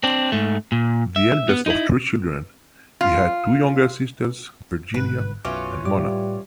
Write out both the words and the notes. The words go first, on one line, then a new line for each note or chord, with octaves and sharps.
The eldest of three children, he had two younger sisters-Virginia and Mona.
C4 D4
G#2 A3
A#2
E5
B3
D#4 E4
F4
G1 G#2 C3 B4
B1 F#2 E3 C#4 F4 F#4 D6
A2 G3 A3 D6